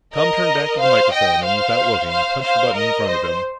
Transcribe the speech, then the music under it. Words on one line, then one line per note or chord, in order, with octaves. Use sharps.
Tom turned back to the microphone, and without looking, punched a button in front of him.
A#4 D#5
C5 F5
D#5 G5
C5 F5
C5 F5
C5 F5
A#4 D#5
C5